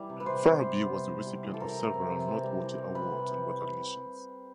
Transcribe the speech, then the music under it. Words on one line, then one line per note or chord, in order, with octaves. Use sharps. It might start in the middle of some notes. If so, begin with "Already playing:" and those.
Farabee was the recipient of several noteworthy awards and recognitions.
Already playing: E3 G3
C3
B4
C3 C5
C3
G3
B3
C3
E3
G3
E3
A4
C4 A#4
E3
C4
C3
C4
G3
E3
G3
G3 B4
C3
C4